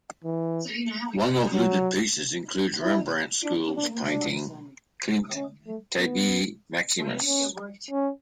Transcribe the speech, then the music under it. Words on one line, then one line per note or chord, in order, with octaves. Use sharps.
One of looted pieces includes Rembrandt school's painting 'Klint Tabie Maximus'.
E3
F#3
E4
D4
D4
D4
C#4
A3
B3
C#4
C#4